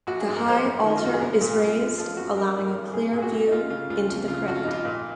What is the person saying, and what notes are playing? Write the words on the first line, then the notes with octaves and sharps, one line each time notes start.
The high altar is raised, allowing a clear view into the crypt.
A#1 F#4
G#4
G#2
A#4
A#1 C5
F#2
D#3
D#4
F4
F#2 F#4
G#4
C2 A#4
A#2 F4
C2 F4
F#2 F4
F3 F4
F#2 F#4
F#3 A#4
G#2
A#4
G#1
C2 G#4
A#2
G#4
F#4
C2
D#4
G#3 F4
C#3 F4
C#2 F4
F2
C#3 F4
F2 F#4
F4
A#1 D#4
F4
A#2